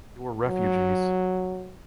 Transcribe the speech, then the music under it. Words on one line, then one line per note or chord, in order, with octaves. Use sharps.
They were refugees.
F#3